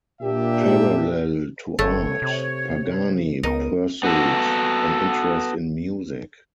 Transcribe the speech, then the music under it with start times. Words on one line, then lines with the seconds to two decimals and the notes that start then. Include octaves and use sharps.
Parallel to art, Pagani pursued an interest in music.
0.22 A#2 D4 G4 E5
1.79 G1 A3 C#5
2.22 C3
3.43 C#2 B3 D#4 A#4 D#7
4.03 B3 F#4 A4